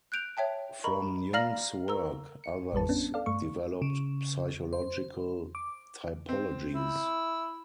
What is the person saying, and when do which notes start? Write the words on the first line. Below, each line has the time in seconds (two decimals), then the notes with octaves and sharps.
From Jung's work, others developed psychological typologies.
0.12 F#6 G6 D7 F7
0.37 C#5 E5 G5 A5
0.84 A#4 D#5 A#5 B5 C#6
1.33 D5 F5 A#5 F6 A#6 F#7
1.88 A#4 A#5 E6
2.44 C#7
2.73 A1 F2 G3 B4 A5
2.89 B3 C#4 D4
3.14 A4 D5 F5
3.26 G2 A3 C#6
3.82 C#3
4.73 C5
5.55 D6
6.29 C4
6.74 E4